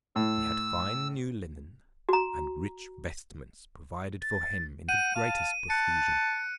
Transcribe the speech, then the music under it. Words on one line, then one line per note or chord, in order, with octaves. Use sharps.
He had fine new linen, and rich vestments provided for him in the greatest profusion.
A2 E6
F#4 A#5
A6
F#5 G6 D#7
F5 A5
A5 F#6 C#7